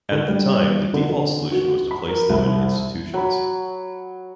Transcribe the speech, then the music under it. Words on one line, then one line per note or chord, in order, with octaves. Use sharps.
At the time the default solution was to place them in institutions.
D3
G3
D3
D3
F#4
B5
A#4
C2
F#3 B5